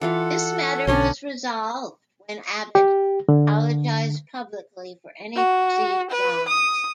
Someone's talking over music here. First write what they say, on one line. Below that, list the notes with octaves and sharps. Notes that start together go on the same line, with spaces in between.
This matter was resolved when Abbott apologized publicly for any perceived wrongs.
E3 F4 A4 F5 F#5
B1 D3 C#4 D4 C6
G4
D3
F#4
B4
D#6